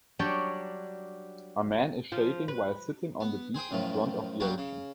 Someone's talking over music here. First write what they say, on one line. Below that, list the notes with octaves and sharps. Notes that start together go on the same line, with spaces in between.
A man is shaving while sitting on the beach in front of the ocean.
F#3 G3 D4 C#5 D5 G5
F3
B4
B3
G#4 C5 G5 D#6
F#2 A2 D#3 F3
F#3 G3 A#3 F#4 G4
C#3